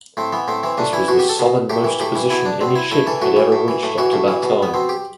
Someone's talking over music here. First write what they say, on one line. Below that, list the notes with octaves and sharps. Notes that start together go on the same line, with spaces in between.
This was the southernmost position any ship had ever reached up to that time.
A2 C4
E3 B3
A2 C4
E3 C4
A2 D4
E3 E4
B2 F#4
G4
A4
B2
A2 G4
E3
A2 G4
E3
B2 E4
D4
B2 C4
E4
A2 E4
E3 A4
A2 F#4
E3
A2
E3
A2
E3 F#4
A2
E3
B2
B3
B2 C4
G4